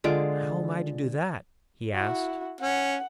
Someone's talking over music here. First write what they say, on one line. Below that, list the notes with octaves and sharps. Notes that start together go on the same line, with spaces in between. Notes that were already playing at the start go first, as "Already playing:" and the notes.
'How am I to do that?' he asked.
D3 G#3 F4 D6
E4 F#4
C#4 F#5